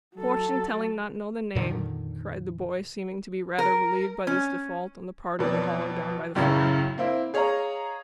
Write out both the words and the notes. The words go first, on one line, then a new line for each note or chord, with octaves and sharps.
Fortune-telling not know the name!' cried the boy, seeming to be rather relieved by this default on the part of the hollow down by the flare.
F#3 A4
F2 A#2 D3 D#3
A#4
C#4
F2 B2 F#3 D5
C#2 F#2 A2 C#3
A#3 C4 E4
G#4 C#5 D#5 F5 A#5